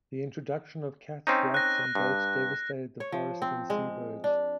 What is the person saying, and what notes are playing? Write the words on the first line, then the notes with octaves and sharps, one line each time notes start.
The introduction of cats, rats, and goats devastated the forests and seabirds.
C4 C#4 D#4
F#6 A#6
G2
C#5
F3
C4
G#3
D4